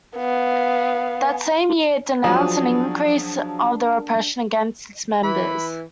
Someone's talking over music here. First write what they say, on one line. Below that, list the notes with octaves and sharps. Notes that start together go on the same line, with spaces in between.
That same year it denounced an "increase of the repression against its members".
B3 F5
F3 F#3 D4 F#4 G#4
E3 B5